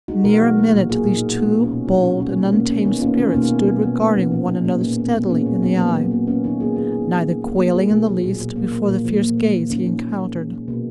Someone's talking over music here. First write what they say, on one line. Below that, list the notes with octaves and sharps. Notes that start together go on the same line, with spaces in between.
Near a minute these two bold and untamed spirits stood regarding one another steadily in the eye, neither quailing in the least before the fierce gaze he encountered.
G#3 D#4 F#4
B2 F#4 A#4
F#3
A#3
A#2
A#3 F4 G#4
A#2
D#4 F#4
A#2
G#3 B3 D#4
G#3
C#4 F4
B2
B2 D#4 F#4
G#3 C#4 F4
B2 A#3 C#4
A#3 B3
A#3 C#4
A#3 C#4
D#3 B3 D#4
A#3 C#4 F4
D#3 C#4 F4
B2 A#3 C#4
B2 B3
B2 B3
B2 B3
A#3
B2 A#3 C#4
A#2 C#4 F4
G#3 B3 D#4
A#2 A#3 C#4
A#2 A#3
A#2 B3
G#3 B3
A#2 A#3 C#4
A#2 B3
F#3 B3
F#3 A#3
F#3
B3
A#3
A#3 C#4
D#3 B3 D#4
A#3 F4 G#4
D#3 F4 G#4
D#3
D#3
F#3
A#3
A#3
A#3 F4 G#4
B2
F#3
A#2
A#2
A#3
A#3
A#2
F3
A#3
A#3
A#3
D#3 A#3 C#4
A#3
D#3
G#3
G#3
G#3
B2 A#3